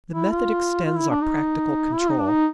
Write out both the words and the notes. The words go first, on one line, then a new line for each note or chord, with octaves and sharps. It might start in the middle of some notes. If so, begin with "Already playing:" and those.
The method extends our practical control.
E4
F4
F4
E4
D4
D#4
E4
F4
D#4
D4
D#4